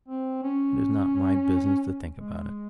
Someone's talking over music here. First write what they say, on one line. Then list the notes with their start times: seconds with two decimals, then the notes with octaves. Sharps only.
It is not my business to think about it.
0.09 C4
0.43 C#4
2.17 G#3